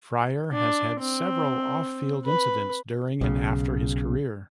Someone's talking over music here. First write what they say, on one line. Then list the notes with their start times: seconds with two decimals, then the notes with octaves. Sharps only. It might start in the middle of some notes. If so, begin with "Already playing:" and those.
Fryar has had several off-field incidents during and after his career.
0.53 D4
1.00 C4
2.25 B4
3.21 B1 C#3